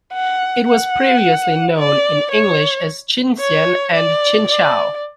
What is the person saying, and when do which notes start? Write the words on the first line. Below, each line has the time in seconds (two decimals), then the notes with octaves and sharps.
It was previously known in English as Chinhsien and Chinchow.
0.14 F#5
0.68 F#5
1.77 D5
2.31 C#5
3.40 C#5
3.94 D5
4.49 D5